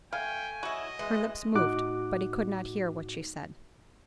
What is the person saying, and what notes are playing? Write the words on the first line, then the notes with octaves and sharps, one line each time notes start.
Her lips moved, but he could not hear what she said.
A3 F5 G5 G#5
C#4 E4 F#4 D#5
E3 G#3
A2 D#4 F#4 D6 F#6